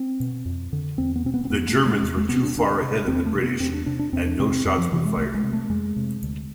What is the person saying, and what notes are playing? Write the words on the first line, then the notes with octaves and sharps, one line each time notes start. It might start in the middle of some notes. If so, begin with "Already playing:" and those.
The Germans were too far ahead of the British, and no shots were fired.
Already playing: C4
B2
F2
D3
E2 C4
B3
B2 C4
B3
C4
F2 B3
A3
C3
G#3
E2
G#3
C3 B3
D4
D2 D4
C3
E2 C4
A3
C3
B3
E2 C4
D4
C3 D4
D4
E2 C4
D4
C3 C4
C4
F2 C4
F3
C3 E3
G#3
C2 A3
G#3
C3
A3
F2 G#3
C3
D2